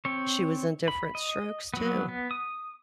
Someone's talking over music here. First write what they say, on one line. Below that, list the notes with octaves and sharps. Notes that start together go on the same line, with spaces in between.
She was in Diff'rent Strokes, too.
C4 C#5
B5
D#5
F#3 B3
B3
D#6